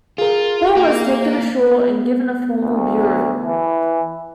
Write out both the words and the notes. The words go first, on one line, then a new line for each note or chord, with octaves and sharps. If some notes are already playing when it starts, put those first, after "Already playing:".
Hall was taken ashore and given a formal burial.
F4 G#4 A#4
A#3
B3
D2
E3